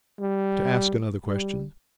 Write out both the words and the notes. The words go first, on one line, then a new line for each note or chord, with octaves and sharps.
To ask another question.'
G3
G3